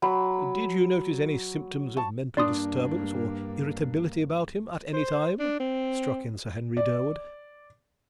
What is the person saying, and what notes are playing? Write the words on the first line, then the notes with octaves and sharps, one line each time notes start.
"Did you notice any symptoms of mental disturbance or irritability about him at any time?" struck in Sir Henry Durwood.
F#3 B5
A5 C#6
G2 A#3 D4 D5 C6 D#6
C5
D4
C4
D5